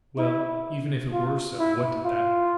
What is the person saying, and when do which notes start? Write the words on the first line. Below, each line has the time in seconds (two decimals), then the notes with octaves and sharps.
Well, even if it were so, what did that prove!
0.18 E4
1.13 F4
1.59 E4
2.05 F4